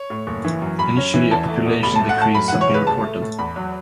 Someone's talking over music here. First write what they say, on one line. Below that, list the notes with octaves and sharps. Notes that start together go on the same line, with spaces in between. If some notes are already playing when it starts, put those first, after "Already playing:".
Initially a population decrease had been reported.
Already playing: C#5
A2
F#1
E3
F#2
F#2 B5
C#4
E3
E2 A5
A3
B2
A1 B5
A5
A3
F#5
A2 A5
F#2 B5
E3 F#5
C#5
C#3 B4
A1 A5
A3
A2
E2 B5
F#3